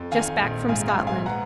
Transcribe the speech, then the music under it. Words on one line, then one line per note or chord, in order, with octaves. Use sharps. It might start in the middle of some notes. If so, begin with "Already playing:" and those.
Just back from Scotland.
Already playing: F2
D#3 F5 G#5
A#1
G#2 F5 G#5
F5 G#5
A#1
F5 G#5
B3 F#5 A#5